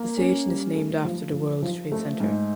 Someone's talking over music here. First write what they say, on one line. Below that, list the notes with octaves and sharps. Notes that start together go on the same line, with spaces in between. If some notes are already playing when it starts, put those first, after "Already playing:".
The station is named after the World Trade Centre.
Already playing: A#3
C#4
G3
A3
F3
F3
F3
A3
G#2